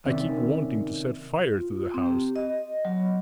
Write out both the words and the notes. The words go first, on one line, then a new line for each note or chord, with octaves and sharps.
I keep wanting to set fire to the house.
C3 D#3 C4 C#4 D5 E5
F4
C4
G4
D#5
F#3